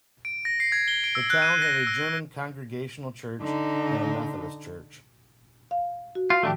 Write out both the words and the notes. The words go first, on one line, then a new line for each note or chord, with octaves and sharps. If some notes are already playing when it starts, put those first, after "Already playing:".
The town had a German Congregational church and a Methodist church.
D7
A#6
C7
G#6
G7
D7
E6
F#6
D#7
A#6
E6
D3 D#4
F5
F#4
F4 F6 A6
A2 D#3 F3 A3 D4 G4